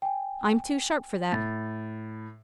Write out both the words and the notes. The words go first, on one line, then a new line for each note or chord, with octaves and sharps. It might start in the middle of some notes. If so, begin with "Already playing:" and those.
I'm too sharp for that.
G5 G#5
A2 A6